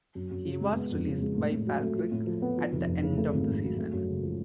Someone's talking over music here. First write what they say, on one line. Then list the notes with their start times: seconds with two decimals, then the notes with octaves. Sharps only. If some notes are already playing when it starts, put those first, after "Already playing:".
He was released by Falkirk at the end of the season.
0.15 F#2
0.31 F#2
0.46 C#3
0.61 G#3
0.76 B3
0.91 F2
1.07 C#3
1.21 G#3
1.37 A2
1.52 A2
1.67 F#3
1.82 A3
1.97 F4
2.12 A2
2.27 F3
2.42 B3
2.57 F3
2.73 F1
2.87 F2
3.03 C#3
3.17 A3
3.33 G#1
3.48 G#2
3.63 F#3
3.78 A3
3.93 F#2
4.08 C#3
4.23 F3